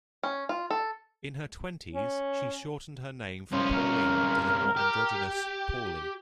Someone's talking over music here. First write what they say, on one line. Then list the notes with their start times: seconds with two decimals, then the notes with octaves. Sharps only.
In her twenties, she shortened her name from Pauline to the more androgynous Pauli.
0.23 C#4
0.49 F4
0.70 A4
1.93 C#4
3.52 C2 F3 C#4
3.74 A#4
4.76 G4